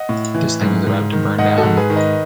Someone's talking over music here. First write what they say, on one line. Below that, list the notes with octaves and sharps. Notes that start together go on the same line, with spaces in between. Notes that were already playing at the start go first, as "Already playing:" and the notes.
This thing is about to burn down.
Already playing: D#5 F#5
A2
E3
G#2
G#2
D#3
G#2 D#5 F#5
F#4 A4
G#2
G#4 B4
D#3
B4 D#5